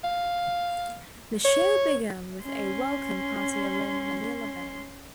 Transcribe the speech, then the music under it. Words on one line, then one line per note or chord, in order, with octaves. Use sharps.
The show began with a welcome party along Manila Bay.
F5
C#5
C#4 C6